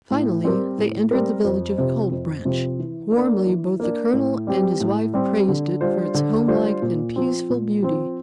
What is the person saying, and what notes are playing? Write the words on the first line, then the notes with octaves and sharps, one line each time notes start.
Finally they entered the village of Cold Branch. Warmly both the Colonel and his wife praised it for its homelike and peaceful beauty.
A2
G3 C4 G4 A#4
A2
G3 C4 G4 A#4
F2
C3 F3 C4
F2
C3 F3 C4
E3
A#3 D4
E3
A#3 D4
A2
G3 C4 G4
A2
G3 C4 G4
D3
G3 D4 F4 C5
D3
G3 D4 F4 C5
A#2
F3 C4
A#2
F3 C4